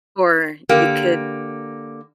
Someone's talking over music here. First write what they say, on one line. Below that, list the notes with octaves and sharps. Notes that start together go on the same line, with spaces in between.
Or you could
D3 A#3 G4